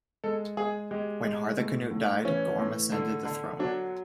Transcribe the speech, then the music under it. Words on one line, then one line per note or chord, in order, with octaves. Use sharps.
When Harthacnut died, Gorm ascended the throne.
G#3 A4
G#3 G#4
G#3 G4
G#3
A2
A2
E3 C#4
A2
D3
D3
F#3 D4